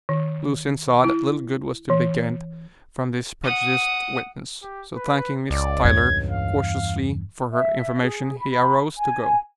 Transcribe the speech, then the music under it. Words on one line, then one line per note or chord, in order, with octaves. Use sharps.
Lucian saw that little good was to be gained from this prejudiced witness, so thanking Miss Tyler courteously for her information, he arose to go.
D#3
E4
E3
F#5 D#6
G4
B4
C#2 D5
E2 G2 G#6
F5
E5
G#4
B5
G#5